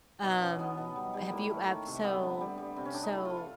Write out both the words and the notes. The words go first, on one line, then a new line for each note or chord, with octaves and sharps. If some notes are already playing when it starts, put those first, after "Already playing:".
Um, have you ev so so
B2 D#4
B2 C#4
B2 B3
B2
G3
G3
A2 A#3
A3
D#3
C3
G3 B3
D3
G3
G3
C3 C4
C#4
C3 D4
D#4
A3 E4
A3 F4
F4